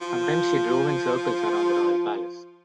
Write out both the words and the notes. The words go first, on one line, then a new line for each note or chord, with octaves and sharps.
Sometimes she drove in circles around the royal palace.
F3 F4